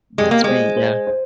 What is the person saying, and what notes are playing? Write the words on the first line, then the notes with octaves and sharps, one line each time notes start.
That's me, yeah.
G#3 G4
A#3
G#3 C5
C5
C5